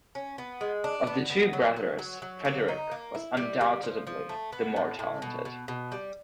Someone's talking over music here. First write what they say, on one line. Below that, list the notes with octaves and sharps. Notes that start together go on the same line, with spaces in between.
Of the two brothers Frederick was undoubtedly the more talented.
C#4
B3
G#3
D4
B3
B3
F#3
F#3
F#3
F#3
A#3
D#4
A#3
E4
G3
G3
F3
F3
A3
B3
A2
A2
B2
B2
B2
G3